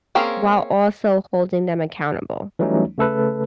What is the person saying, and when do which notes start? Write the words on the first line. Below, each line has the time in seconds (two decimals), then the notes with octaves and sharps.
while also holding them accountable.
0.15 A#3 C4 C#4 G#4 A#4
2.59 E3 F#3 G3 A3 C#4 D#4
2.98 C#3 A3 A4 B4